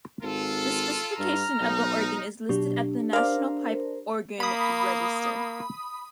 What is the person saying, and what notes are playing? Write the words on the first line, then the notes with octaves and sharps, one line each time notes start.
The specification of the organ is listed at the National Pipe Organ Register.
G#1 F4 A4
G2 A#5 F6
B1 D#4
B2 F#3 D4 G4
A#4 C5 D5 F5
A#3 B5 D#6